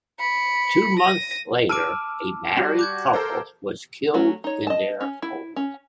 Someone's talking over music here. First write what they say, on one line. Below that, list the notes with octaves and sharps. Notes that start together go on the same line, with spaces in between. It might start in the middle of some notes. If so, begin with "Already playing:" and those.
Two months later, a married couple was killed in their home.
B5 C#7
A#6 D#7
A5 D6 E6 F6 D7
G3 F#4
D6 G6 G#6
A4 A#4 C5
F#3 A3 C#4 F#4
D#4 C#5
D#5 A5
C#4
E4
C#4